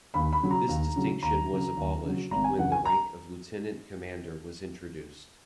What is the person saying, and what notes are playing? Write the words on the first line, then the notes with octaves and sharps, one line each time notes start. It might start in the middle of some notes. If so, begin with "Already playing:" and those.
This distinction was abolished when the rank of lieutenant commander was introduced.
D#2 B5
B5
C#3 F#3
A#5
D#2
C#3 F#3
D#2 A#5
C#3 F#3
D#2
C#3 F#3
G#1 A#5
G#5
F#2 C#3 E3 F#5
G#5
A#5